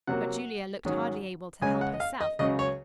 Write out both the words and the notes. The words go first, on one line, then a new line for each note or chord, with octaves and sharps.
But Julia looked hardly able to help herself.
C3 F#3 A#3 F#5
G#2 D#3 F#3 C#4
C#2 C#3 G#3 C#4 G#5
F#5
D#5
F5
D#5
C#2 C#3 F#3 C#4 D#5
C#5